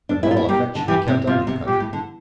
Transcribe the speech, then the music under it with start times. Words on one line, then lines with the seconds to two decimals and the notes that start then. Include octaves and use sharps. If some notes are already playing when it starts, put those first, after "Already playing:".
The moral effect should be kept up in the country.
0.09 D4
0.23 E4
0.31 F4
0.37 E4
0.49 A#3 G4
0.75 D3
0.88 E3 G4
1.08 C3
1.27 C3 F4
1.47 C3
1.67 A#2 G4
1.80 A2
1.93 D3